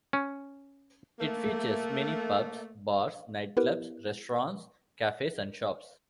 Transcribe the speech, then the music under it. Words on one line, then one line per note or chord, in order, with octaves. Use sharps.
It features many pubs, bars, nightclubs, restaurants, cafes and shops.
C#4
A3 A#3
B3 E4 G4 A#4 B4